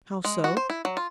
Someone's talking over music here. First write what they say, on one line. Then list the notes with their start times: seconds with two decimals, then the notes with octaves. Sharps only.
"How so?"
0.24 G#3
0.44 F#4
0.57 C5
0.70 E4
0.85 F#3
0.97 F4